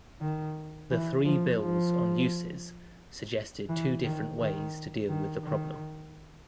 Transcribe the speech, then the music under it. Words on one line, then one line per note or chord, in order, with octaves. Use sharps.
The three bills on uses suggested two different ways to deal with the problem.
D#3
E3
F3
F3
E3
D#3
D#3
D#3
D#3